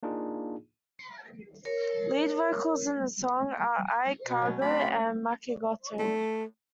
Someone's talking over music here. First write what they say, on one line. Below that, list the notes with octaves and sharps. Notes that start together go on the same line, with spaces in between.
Lead vocals in the song are Ai Kago and Maki Goto.
A#3 D4 D#4 F4 G#4
A#4 C#5
B2
F#3 C#4
D2 C4 D5 F5 B5 F#6
A3